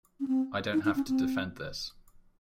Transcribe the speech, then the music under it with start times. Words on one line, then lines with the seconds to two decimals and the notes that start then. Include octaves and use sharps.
I don't have to defend this.
0.20 C#4
0.28 C4
0.73 D#4
0.85 D#4
0.96 C#4
1.08 C4